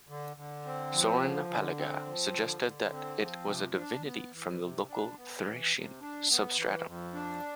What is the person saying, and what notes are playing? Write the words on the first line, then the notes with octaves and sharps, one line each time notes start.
Sorin Paliga suggested that it was a divinity from the local Thracian substratum.
D3
D3
C4
F3
D3
D3
C4
F3
D3
D3
C4
F3
C3
D4
B3
E3
C3
D4
B3
E3
C3
D4
B3
E3
F2
D4